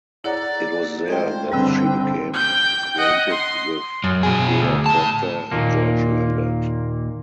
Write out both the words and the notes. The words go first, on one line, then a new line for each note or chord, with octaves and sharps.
It was there that she became acquainted with Thea Proctor and George Lambert.
E4 G#4 C#5 D5 F#5 A#5
G#3 A3 F4 C5 G5 G#6
G1 D3 G3 C4 B4 G5 E6
G5 G6
D#5 F#5
C6
F#2
B2 G#4
D2
A2 A5
D#2 A#2 A#3